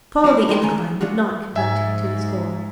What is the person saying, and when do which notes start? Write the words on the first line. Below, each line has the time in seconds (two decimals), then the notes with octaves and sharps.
To follow the incline would not conduct him to his goal.
0.24 F#3 C4 D#4 E4
0.48 F#2 D#4 A#4 C5 G5
0.62 D2 A2 D#3 C#4 G#5 A#5
0.78 E3
1.01 F#3 D4 F4 F#4
1.56 G#2 E5 G#5